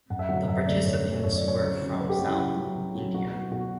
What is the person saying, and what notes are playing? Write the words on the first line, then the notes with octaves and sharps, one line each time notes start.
The participants were from South India.
F#2 F#5
E5
D3 F#3 A3 F#5
F#2 E5
D3 F#3 A3 D5
F#2 C#5
D3 F#3 A3
F#2 C#5
D5
D3 F#3 A3 C#5
C#3
F#3 C#4
C#3 B4
G4
F#3 C#4 F#4
E4
C#3
F#3 C#4
C#3
F#3 C#4
B2 F#4
F#3 B3
B2 F#4